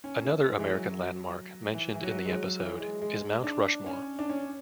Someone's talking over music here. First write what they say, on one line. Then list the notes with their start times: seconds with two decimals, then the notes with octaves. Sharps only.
Another American landmark mentioned in the episode is Mount Rushmore.
0.04 C#4
0.25 A3
0.46 G#3
0.59 E3
0.68 F#3
1.74 E3
1.95 E3
2.03 F#3
2.25 G#3
2.30 F#3
2.59 E3
2.80 G#3
3.02 G#3
3.44 D4
3.86 C#4
4.19 D4
4.30 C#4